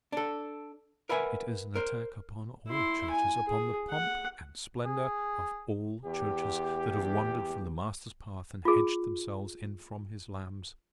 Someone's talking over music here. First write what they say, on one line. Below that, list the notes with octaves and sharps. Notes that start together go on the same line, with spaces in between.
It is an attack upon all churches, upon the pomp and splendor of all churches that have wandered from the Master's path and hedged themselves in from his lambs.
D4 A4
A#4 B4 E5 F#5 G#5
A#4 C5
E4 C6
G#5
G#4
F#5
G#4
E2 G4
F4 G#4